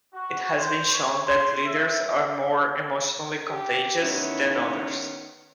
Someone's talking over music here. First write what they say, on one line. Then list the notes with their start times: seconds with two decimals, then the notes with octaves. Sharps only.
It has been shown that leaders are more emotionally "contagious" than others.
0.13 F#4
0.57 C5
0.91 C#5
1.24 C6
1.66 E5
3.50 G4
4.02 D#3 B3 C#4 E4